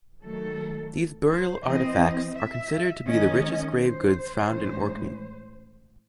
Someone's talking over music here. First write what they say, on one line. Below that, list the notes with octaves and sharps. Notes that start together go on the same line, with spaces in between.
These burial artefacts are considered to be the richest grave goods found in Orkney.
D#3 F#3 A3 A4
C5
E3 C4 D#5
E5
D#3 G#3 C#4 D#5
C5
A2 E3 G#3 C#4